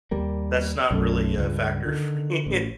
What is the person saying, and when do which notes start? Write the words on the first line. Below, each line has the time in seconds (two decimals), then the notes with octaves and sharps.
that's not really a factor for me.
0.11 D#2 G3 A#3
0.91 B1 F#2 A3
1.38 C#2 G2
1.85 D3 D#3
2.46 A1